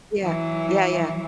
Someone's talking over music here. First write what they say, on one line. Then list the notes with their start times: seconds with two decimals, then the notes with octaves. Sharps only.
Yeah. Yeah, yeah.
0.20 E3 F#3